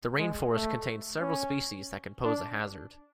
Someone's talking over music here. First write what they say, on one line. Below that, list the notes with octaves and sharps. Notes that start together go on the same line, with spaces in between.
The rainforest contains several species that can pose a hazard.
G#3
A3
C#4
D4